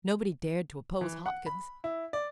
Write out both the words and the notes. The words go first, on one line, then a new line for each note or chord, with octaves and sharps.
Nobody dared to oppose Hopkins.
E3
F#5
B5
E4
D5